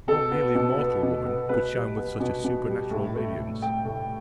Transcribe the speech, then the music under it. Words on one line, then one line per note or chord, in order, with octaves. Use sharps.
No merely mortal woman could shine with such a supernatural radiance.
B2 A4
B3
B2
B3
B2
B3
B2 B4
G3
B3
B2
B2
G3
A2
A3
A2
A3 G5
A2